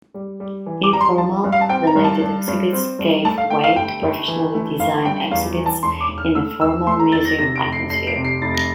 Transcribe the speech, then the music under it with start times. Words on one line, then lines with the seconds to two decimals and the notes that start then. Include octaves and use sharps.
Informal, donated exhibits gave way to professionally designed exhibits in a formal museum atmosphere.
0.14 G3
0.40 G3
0.66 E3
0.84 D6
0.92 G3 A#5
1.01 C6
1.18 F3 A5
1.44 G2
1.52 F5
1.61 A5
1.69 C4 G5
1.87 A#5
1.96 G2
2.04 A5
2.21 G2
2.48 G2
2.73 C4
2.99 G2
3.25 A3 A5
3.38 F5
3.50 A3 G5
3.64 F5
3.76 G1 G5
4.02 G1
4.28 E3
4.54 A3
4.79 G1 F5
5.05 G2 G5
5.31 E2 F5
5.57 E3
5.66 A5
5.83 E1 C6
6.01 D6
6.09 E1
6.18 F6
6.35 A3 E6
6.60 E1 E6
6.86 A3 C6
6.99 A#5
7.12 E2 A6
7.25 A#6
7.38 C3 A#6
7.56 D7
7.64 F1
7.73 C7
7.90 F1 C7
8.07 D7
8.16 C3
8.25 C7
8.42 F1 A6
8.55 A#6